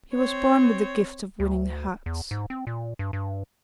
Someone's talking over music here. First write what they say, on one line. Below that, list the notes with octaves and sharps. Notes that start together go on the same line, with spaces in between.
He was born with the gift of winning hearts.
C4 C#5
D2
E2
G#2
C4
A#2
G2
G2